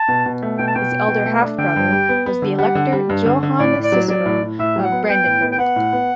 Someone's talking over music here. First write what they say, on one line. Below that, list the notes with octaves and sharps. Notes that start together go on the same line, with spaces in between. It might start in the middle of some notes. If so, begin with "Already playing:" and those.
His elder half-brother was the Elector Johann Cicero of Brandenburg.
Already playing: A5
B2
B2
A3
B2 G5
A5
B2 G5
B2
B2
A3
D4
D3 G5
G2
G3
B3
B3
D3
G3 F#5
D3
G3
G2
D3
D3
A2 D5
A2
D5
F#3
F#3 D5
A2
A2
A2 E5
F#3
F#5
B3
B3 G5
A2
B3
G5
B3 F#5
A2
B3